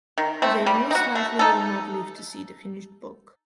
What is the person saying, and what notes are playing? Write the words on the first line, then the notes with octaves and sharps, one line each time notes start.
They most likely will not live to see the finished book.
D#3
A3 C4
G3
D#4
F#4
A3
D#4 A4